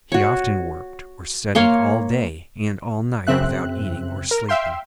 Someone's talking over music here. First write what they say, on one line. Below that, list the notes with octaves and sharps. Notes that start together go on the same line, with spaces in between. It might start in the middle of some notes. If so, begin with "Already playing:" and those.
He often worked or studied all day and all night without eating or sleeping.
F#4 C#5
A#3 C#5 F5 C6
F#2 C#3 C4 E5 F#6
A#4
E5 F5 G5 C6